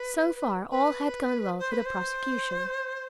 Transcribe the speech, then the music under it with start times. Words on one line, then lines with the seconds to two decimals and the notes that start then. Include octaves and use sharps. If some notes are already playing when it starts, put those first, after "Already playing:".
So far, all had gone well for the prosecution.
Already playing: B4
0.71 B4
1.59 C5
1.72 B4
1.85 C5